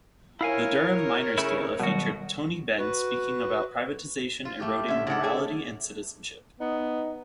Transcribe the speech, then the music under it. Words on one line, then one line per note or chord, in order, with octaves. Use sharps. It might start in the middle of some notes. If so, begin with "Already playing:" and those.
The Durham Miners' Gala featured Tony Benn speaking about privatisation eroding morality and citizenship.
E4 A#4 C#5 F5 G#5
C#3 A3 E4
B2 D#3 F#3 G3 F#4
F#4 B4
F4
A3 G4
D3 C#4 E5
C#3 A4 D5 F#5
G#4 C#5 E5
B3 D#4